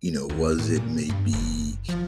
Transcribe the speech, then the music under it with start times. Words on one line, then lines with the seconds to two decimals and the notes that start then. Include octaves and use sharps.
You know, was it maybe,
0.29 D#2
0.59 A2
0.76 A#2
1.09 G2
1.33 F#1
1.89 F3